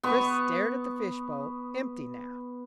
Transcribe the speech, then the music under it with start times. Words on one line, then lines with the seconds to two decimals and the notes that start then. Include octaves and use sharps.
Chris stared at the fishbowl, empty now.
0.03 B3 C#6